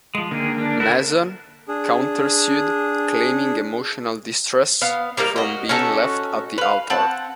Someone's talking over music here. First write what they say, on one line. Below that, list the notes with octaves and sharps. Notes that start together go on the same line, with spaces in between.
Mason countersued, claiming emotional distress from being left at the altar.
F3 G#3
D3 D#3 A#3 G#4
D4
E4 A4 A#4 E5 F#5
D4 G#4
B3 F5
G3 A#3 D#4 A#4
F#4 D#5
C#4 D#4 F#4 A4
B4 F5
C4 F#5 A5